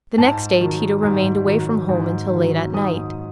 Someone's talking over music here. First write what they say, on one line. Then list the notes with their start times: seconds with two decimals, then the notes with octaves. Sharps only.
The next day Tito remained away from home until late at night.
0.18 G#2 A5
0.61 D#3 F#3
1.03 G#2
1.46 D#3 F#3
1.89 G#2
2.31 D#3 F#3
2.74 G#2 D#6